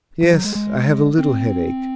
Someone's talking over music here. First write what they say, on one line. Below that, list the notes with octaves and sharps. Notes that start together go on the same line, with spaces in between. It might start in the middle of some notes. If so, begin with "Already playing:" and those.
'Yes; I have a little headache.'
F3
F#3
G#3
G#3
C4